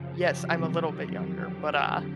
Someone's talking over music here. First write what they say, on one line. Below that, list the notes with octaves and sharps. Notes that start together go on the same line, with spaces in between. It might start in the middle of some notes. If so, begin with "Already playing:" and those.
Yes, I'm a little bit younger but, uh
Already playing: F#2 C#3 F3
G4
F2 C3 D#3 F#3
F2 D3 F#3 G4